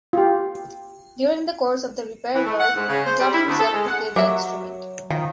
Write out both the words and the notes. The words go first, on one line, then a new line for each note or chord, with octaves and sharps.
During the course of the repair work he taught himself to play the instrument.
F4 G4
E3
A3
F#5
G#2
C#3
C5
G3
E4
D2
A4
G#3
F#5
F#3 G4 A#4 E5
D#3 F3